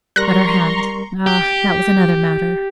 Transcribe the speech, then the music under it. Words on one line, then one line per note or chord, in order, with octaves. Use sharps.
But her hand--ah, that was another matter.
G3 A#4 A#5 C6 C#6 F#6 A#6
G4